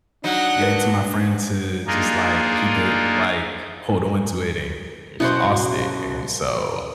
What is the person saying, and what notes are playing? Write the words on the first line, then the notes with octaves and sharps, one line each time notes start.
gave it to my friend to just, like, keep it like, hold on to it and just lost it." And so
F#3 D4 D#4 F#5
A#4 B4
A#3 D4 D#4 F4 G#4 A#4
F#2 B2 E4 F#4 C5